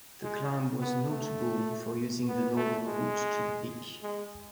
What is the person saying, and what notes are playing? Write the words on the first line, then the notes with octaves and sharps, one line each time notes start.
The climb was notable for using the northern route to the peak.
G#3
B3
A3
B3
A3
G#3
G#3